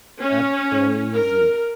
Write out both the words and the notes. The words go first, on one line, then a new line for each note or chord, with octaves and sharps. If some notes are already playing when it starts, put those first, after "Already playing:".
That's crazy.
C#4
A#4